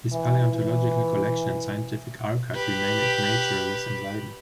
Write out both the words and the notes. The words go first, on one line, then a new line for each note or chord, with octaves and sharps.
His paleontological collection and scientific archive remain at Naturalis in Leiden.
E3
E3
G4 B4